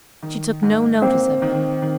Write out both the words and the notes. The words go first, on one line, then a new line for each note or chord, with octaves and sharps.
She took no notice of him.
D#3
G#2
A#3 C4
D#3
D#3